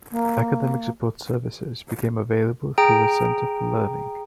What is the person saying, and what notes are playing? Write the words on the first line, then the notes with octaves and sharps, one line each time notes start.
Academic support services became available through the Center for Learning.
A#3
G#4 G5 A#5 D7